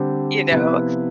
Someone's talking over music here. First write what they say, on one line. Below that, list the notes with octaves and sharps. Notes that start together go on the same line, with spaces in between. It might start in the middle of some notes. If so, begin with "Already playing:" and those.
you know.
Already playing: D3 G3 C4 G4 C5
C3 F3 B3 E4 B4